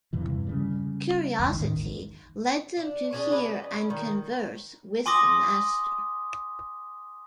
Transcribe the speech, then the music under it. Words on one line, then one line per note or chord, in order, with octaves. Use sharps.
Curiosity led them to hear and converse with the master.
E2 G2 C3 E3
C#3 G3
E2 G#2
A1 D#3
D4
C#4 D4 G#4
B4 D5 D#5
C#4
D#3
G#5 C6 D6 D#6 A#6